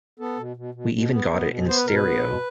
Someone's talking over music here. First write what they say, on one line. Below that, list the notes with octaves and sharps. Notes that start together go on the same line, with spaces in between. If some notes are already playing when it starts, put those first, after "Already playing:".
We even got it in stereo.
B3 A4
B2
B2
B2
B2
B3
B3
B2
B3 C5
B4
B2 A#4
B4
B3
B2